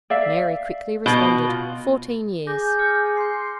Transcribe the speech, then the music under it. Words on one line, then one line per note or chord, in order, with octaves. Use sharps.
Mary quickly responded, "Fourteen years."
D5 E5 F5
B2
F4
G#4 D6 G6 A#6
D6 F6 C#7
C6 G6 C7